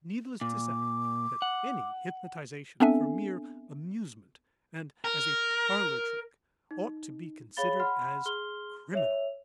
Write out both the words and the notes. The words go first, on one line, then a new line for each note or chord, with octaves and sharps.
Needless to say that any hypnotization for mere amusement and as a parlor trick ought to be considered as criminal.
A#2 D6
F#5
B3 C4 D4 A4 E5 G#5
A#4
D#4
G#4 C#5 F5 B5 A6 G7
F#5 B5 C6 F6
G#4 C6 F6 G7
C#5 E5 F7